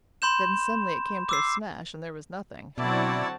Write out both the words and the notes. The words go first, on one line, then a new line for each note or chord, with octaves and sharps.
Then suddenly it came to smash, and there was nothing.
B5 C6 G6 E7
D6 E6 C7
B2 D3 F#3 C4 E4 F#4 D5 A5